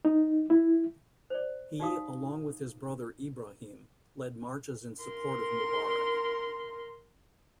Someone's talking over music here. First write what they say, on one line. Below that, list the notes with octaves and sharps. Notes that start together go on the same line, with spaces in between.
He, along with his brother Ibrahim, led marches in support of Mubarak.
D#4
E4
C5 D5
D#4 F#4 G4 F5 D#6
A#4 C6